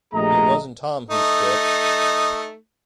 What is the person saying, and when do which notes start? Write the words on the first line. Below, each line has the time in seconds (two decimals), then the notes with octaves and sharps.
It wasn't Tom who spit.
0.14 A#1 A3 G4 G#4 D#5 A#5
1.11 A3 D#4